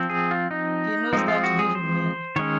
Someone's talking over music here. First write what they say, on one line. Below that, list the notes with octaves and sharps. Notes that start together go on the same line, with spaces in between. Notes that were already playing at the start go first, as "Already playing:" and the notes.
He knows that very well.
Already playing: F3 C4
G#4
F4
D#4
F3 G#3 C4 D#4
F4
F#4
G#4
C5
D#3 G#3 C#4 C#5